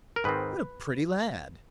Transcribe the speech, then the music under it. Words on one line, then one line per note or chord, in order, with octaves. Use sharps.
"What a pretty lad!"
A#4
G#2 D#3 G#3 C4 B4